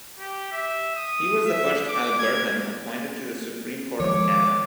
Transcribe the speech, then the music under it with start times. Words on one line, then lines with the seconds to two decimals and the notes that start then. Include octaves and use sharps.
He was the first Albertan appointed to the Supreme Court of Canada.
0.19 G4
0.52 E5
0.96 D#6
1.46 E5
1.88 D6
2.19 G#6
4.00 D#3 F3 G#3 C#5 D6